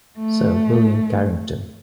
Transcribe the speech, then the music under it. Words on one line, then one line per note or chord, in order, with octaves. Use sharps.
Sir William Carington.
A3